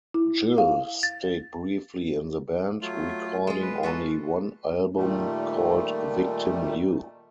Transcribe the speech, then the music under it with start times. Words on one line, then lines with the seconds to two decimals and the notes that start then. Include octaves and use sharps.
Gill stayed briefly in the band, recording only one album called "Victim You".
0.14 E4
0.58 F5
1.03 A6
2.81 F#3 A3 F4
3.47 G#3 F4
3.62 B4
3.83 F4 F#4 A4 B4
4.97 A#2 D#3 G3 A3